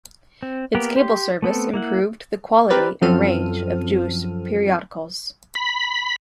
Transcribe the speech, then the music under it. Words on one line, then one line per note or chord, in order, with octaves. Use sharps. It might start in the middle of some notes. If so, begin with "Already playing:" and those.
Its cable service improved the quality and range of Jewish periodicals.
C4
A#3 B3 G4 A#4
G4 C6
A3 B3 C4 A4
A#3 E4 F#5
C4 G4 A#4 B4 D5
F#2 F3 C4 A4 F6 D#7
B5